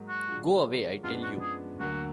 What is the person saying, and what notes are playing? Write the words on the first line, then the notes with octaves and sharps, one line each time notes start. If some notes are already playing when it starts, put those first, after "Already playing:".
Go away, I tell you.
Already playing: G#2 F#3 A#3
F#4
D3 F#3 D4 F4 G#4
F#2 F3 G#3 B3 D4 F4
F#4
G#4
D2 D3 F#3 A#3 F#4